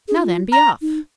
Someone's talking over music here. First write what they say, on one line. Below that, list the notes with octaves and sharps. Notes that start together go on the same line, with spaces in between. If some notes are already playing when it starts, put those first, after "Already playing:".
"Now, then, be off!"
G#4
D#4
F4
A#5
D#4